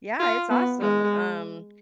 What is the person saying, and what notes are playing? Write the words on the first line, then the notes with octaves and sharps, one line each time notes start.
Yeah, it's awesome, um,
F4
B3
G#3